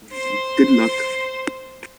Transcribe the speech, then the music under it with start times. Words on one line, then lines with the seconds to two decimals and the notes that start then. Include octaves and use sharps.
Good luck !
0.12 C5 C6